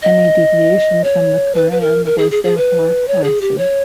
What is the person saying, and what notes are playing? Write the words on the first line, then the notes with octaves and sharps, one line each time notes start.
Any deviation from the Qur'an was therefore heresy.
D#5
C#5
B4
B4
A#4
A#4
G#4
G#4
G#4
B4
C#5
G#4
G4
C#5